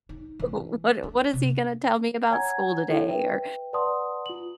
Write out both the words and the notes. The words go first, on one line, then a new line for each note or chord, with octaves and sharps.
"What what is he gonna tell me about school today," or,
D#4
E3
D4
C3
C#5 F#5 G#5 A#5 G#6
E4 A4 C#5
B4 E5 G5
B4 D5 F#5 A5 C6 D#6
F4 F#7